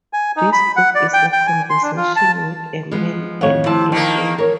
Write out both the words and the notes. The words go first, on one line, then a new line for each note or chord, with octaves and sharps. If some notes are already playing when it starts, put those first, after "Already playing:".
This book is a conversation with a man and an ape.
G#5
D#4
B5
F#5
D5
G5
G5
G#5
C6
D4
F4
A5
F3 G#3 B3
F2 A2 D#3 C#5 F5 F#5
C3 F3 E4 A5
D#3 A#3
A#4 C#5